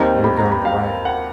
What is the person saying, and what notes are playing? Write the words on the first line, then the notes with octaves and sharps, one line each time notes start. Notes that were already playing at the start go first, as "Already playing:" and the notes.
They were going away.
Already playing: D#2 D#3 G3 C4 D#4 A#5
B5
A#5
B5
F5
F#5